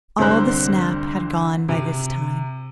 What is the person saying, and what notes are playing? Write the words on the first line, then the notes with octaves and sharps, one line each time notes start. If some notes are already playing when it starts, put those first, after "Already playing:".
All the snap had gone by this time.
C2 D3 C4 C5 A#5 F#6
C3